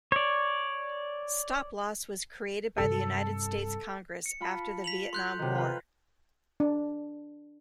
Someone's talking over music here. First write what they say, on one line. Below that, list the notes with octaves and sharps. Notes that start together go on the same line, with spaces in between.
Stop-loss was created by the United States Congress after the Vietnam War.
C#5 D5
G2 C3 A4
C#7
F4 A5 B5
B6 F7 F#7
A4 C6 F#6 G6
C3 D#3
F4 B4
D4